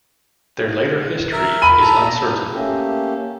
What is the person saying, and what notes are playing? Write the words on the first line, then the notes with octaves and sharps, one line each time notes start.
Their later history is uncertain.
A#4 E5
B5 D#7
A4 A#5
A3 A#3 C#4 G4 A4